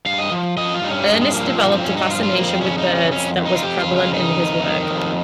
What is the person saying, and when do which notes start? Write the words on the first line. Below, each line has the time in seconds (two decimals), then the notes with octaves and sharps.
Ernst developed a fascination with birds that was prevalent in his work.
0.06 G2 F5
0.18 D#5
0.32 F3
0.57 F3 D#5
0.75 F4
0.82 G2 D#4
0.91 C#4
1.00 G3
1.08 G2 G#3
1.21 G#3
1.33 F3 A#3
1.46 C4
1.58 G2 A#3
1.72 C4
1.84 G2 C#4
1.97 D#4
2.10 F3 F4
2.23 F4
2.35 F2 A#3
2.48 C4
2.61 C#3 C#4
2.78 D#4
2.86 F2
2.95 C#4
3.11 F2 C#4
3.37 F2
3.45 D#4
3.56 F4
3.62 F2 G4
3.80 F4
3.88 C#3
3.96 F4
4.13 D#3 D#4
4.39 F2
4.64 D#3
4.90 F2